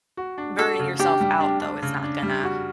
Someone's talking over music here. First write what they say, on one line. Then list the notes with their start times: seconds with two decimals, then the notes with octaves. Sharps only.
burning yourself out though is not gonna
0.17 F#4
0.38 D4
0.59 F#4 A4
0.79 C#3
0.99 D4 G4
1.21 G3
1.40 D4
1.61 D4
1.82 C#3
2.03 D4
2.23 G3
2.44 F#4